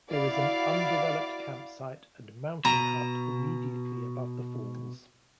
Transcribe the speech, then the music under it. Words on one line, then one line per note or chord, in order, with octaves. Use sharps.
There is an undeveloped camp site and mountain hut immediately above the falls.
E4 F#4 D5 F5 D6
B2 A#5